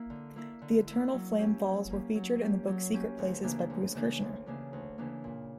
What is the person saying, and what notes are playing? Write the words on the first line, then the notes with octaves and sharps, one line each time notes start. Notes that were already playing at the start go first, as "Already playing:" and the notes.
The Eternal Flame Falls were featured in the book "Secret Places" by Bruce Kershner.
Already playing: A#3 E4
D3
A#3 E4
D3
A#3 E4
F#3
A#3 C#4 G4
F#3
A#3 C#4 G4
F#3
A#3 C#4 G4
F#3
A#3 C#4 G4
D2
C#3 E3 A#3 D4
D2
C#3 E3 A#3 D4
D2
C#3 E3 A#3 D4
D2
C#3 E3 A#3 D4
A#2